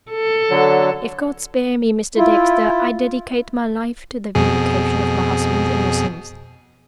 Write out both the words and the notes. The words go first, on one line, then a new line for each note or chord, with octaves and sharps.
If God spare me, Mr. Dexter, I dedicate my life to the vindication of my husband's innocence.
A4
D3 F#3
E4 F4
F2 B2 G#4